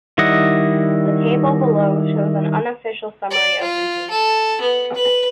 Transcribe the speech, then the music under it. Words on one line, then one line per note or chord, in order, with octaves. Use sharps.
The table below shows an unofficial summary of regions.
D#3 G3 E4 D#5 F#5
D5
F4
A4
B3
B4